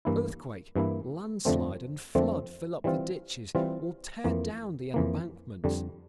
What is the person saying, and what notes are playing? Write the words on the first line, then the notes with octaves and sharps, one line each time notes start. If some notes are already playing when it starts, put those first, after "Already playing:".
Earthquake, landslide, and flood fill up the ditches, or tear down the embankments.
G2 E3 A#3 E4
G2 E3 A#3 E4
F2 D3 F3 A3 C4
F2 D3 F3 A3 C4
E3 G3 C4 F4
E3 G3 C4 F4
F2 E3 A#3
F2 E3 A#3
F2 D3 G3